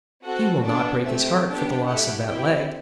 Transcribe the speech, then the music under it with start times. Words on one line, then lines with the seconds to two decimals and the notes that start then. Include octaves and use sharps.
He will not break his heart for the loss of that leg.
0.23 C4 F#4 A4 F#5
0.64 B3 D4 A4 D5
1.05 A3 C4 G4 E5
1.46 B3 D4 G4
1.86 A3 E4 G4 F#5
2.27 C4 E4 G4 G5